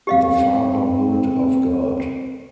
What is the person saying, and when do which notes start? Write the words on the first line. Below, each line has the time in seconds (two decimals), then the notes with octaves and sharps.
The Fatherhood of God.
0.07 C4 G4 D#5 F5